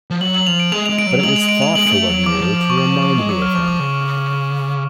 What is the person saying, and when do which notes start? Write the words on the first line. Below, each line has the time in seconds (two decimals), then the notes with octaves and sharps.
But it was thoughtful of you to remind me of him.
0.10 F3
0.21 F#3 F#7
0.34 F#7
0.47 F3 F7
0.60 D7
0.72 G#3 F7
0.86 G#3 F7
0.99 G#3 D7
1.07 F#3
1.11 D7
1.19 F#3
1.23 G#3 F#7
1.36 F7
1.49 D7
1.62 F7
1.75 G#3 F#7
1.86 G#3 D7
1.91 A3
2.09 F#3
2.26 F3 D6
2.34 F#3
2.41 F3
2.70 C#6
2.78 D6
3.03 D6
3.18 G#3
3.29 F#3 D6
3.42 F6
3.54 F3 C#6
3.68 D6
3.80 C#3